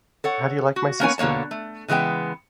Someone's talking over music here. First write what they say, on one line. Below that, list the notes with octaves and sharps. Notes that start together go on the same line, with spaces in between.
How Do You Like My Sister?
A4 C#5 F#5
F#4
A#3 B3 C#4 A#4 C#5 G#5
B2 D3 A#3 C#5 A5
A3
C#3 E3 G#3 B3 G5